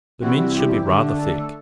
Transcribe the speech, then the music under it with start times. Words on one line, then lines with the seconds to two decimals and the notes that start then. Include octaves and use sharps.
The mince should be rather thick.
0.21 C3 E3 G3 C4 E4 F#4
0.53 G4
0.86 D3 A3 D4
1.18 A4